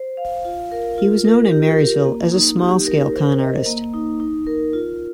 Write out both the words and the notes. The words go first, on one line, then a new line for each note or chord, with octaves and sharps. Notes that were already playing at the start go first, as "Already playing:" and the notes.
He was known in Marysville as a small-scale con artist.
Already playing: C5
F5
F4
A#4
F4
A#4
G4
A#4
A#3
D#4
G4
A#4
C5
D#5
A#3
D#4
D#4
A#4
F4